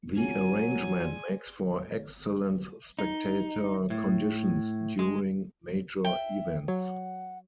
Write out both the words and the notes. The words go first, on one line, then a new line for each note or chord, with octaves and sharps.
The arrangement makes for excellent spectator conditions during major events.
F#3 C4 F4 G#4 G#5
G#4 D5 C6
D#4
A2
G#3
E5 G5
F#3 C#5 F#5